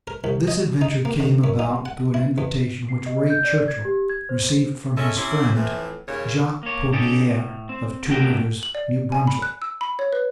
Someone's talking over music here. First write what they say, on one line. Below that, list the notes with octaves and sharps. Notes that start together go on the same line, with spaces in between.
This adventure came about through an invitation which Ray Churchill received from his friend, Jacques Pourbiere of Two Rivers, New Brunswick.
A#4
C2
D#5
D#4
A#3
D3
F#2
D#4
F#5
E4
E2
C7
D#5
G6
D5
G#6
G4
G#6
C5
G#3 C#4 A4 E5
C3 C#4 E4
F2 A2 E3
D#2 A#2 C#3 C#5
A#3 C#5
C#4 D#4 G4 A4
A2
C4
D2 A3 F#4 A#4 G5
F#7
D5
G#5
B5
F#6
E6
B5
C#5
B4